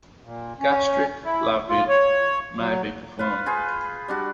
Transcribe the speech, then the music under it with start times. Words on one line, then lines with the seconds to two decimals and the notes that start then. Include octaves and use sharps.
Gastric lavage may be performed.
0.23 A#2
0.60 C#4
1.25 E4
1.69 F4
1.88 C#5
2.58 F#3
3.19 F4 B4
3.46 F4 G#4 B4 G5
4.08 G3 D4 F#4